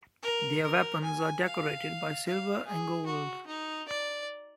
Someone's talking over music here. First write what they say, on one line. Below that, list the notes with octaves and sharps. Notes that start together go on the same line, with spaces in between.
Their weapons are decorated by silver and gold.
A#4
A#4
G#5
F5
F5
G#4
F#4
D#4
D5